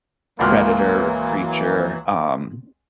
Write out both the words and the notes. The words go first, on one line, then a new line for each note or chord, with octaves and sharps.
predator or creature, um,
G#1 C#2 E3 F#3 A#3 F6